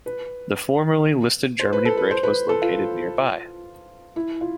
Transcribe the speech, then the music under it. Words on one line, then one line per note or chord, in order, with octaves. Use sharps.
The formerly listed Germany Bridge was located nearby.
B4
C5
B4
A4
B4
C5
B4
A4
F4
E4
F4